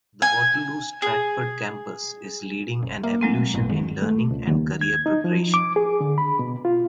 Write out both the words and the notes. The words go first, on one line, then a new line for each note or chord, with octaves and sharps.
The Waterloo Stratford Campus is leading an evolution in learning and career preparation.
G#5
G#4
F#1
A#3 E5 D6
F#3 G#3 A3 C4 F5 A#5
A1 G2 B3
E1 D#3 G#3
A3
C#2
D#2
G#6
D#4
F3
D6
G#4
D3
B5
B2
F4